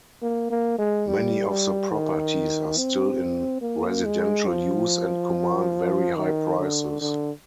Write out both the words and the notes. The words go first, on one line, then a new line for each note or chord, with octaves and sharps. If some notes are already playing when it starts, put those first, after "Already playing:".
Many of the properties are still in residential use and command very high prices.
A#3
A#3
G#3
G3
G3
D#3
C4
A#3
G#3
F3
D#3
D3
D3